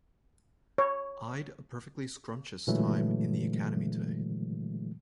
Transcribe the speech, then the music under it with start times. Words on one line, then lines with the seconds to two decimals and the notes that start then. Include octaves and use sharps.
I’d a perfectly scrumptious time in the Academy today.
0.78 C#5
2.67 A#2 D3 E3 F#3 G#3 A3